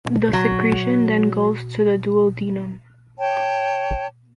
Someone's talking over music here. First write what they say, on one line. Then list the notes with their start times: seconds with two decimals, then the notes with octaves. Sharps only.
This secretion then goes to the duodenum.
0.33 F#3
3.18 C#5 G5 A5